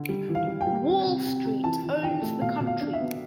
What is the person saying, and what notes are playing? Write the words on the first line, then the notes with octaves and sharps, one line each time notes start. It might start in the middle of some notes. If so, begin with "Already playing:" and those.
Wall Street owns the country.
Already playing: D3
G3
E3
F5
G3
G5
G3
C4
C3
C3
C3
E3 A5
E3
E3 G5
A3
B2 F5
B2
F5
D4
E5
B3